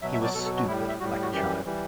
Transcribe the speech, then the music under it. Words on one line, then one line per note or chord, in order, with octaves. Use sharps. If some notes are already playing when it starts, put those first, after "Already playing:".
He was stupid like a child.
B2 F#3 E5
E5
D5
B2 F#3 A4
A4
F#4
A2 G3 E4
E5
A2 G3 F#4
F#4
F#2 E3 G3 G4
E3 G3